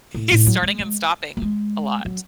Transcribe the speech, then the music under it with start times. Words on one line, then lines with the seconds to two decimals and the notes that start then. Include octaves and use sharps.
he's starting and stopping a lot.
0.15 A2
0.31 A2
0.46 F#3
0.62 G#3
0.79 G#3
1.37 A3
1.42 G#3
2.05 F#3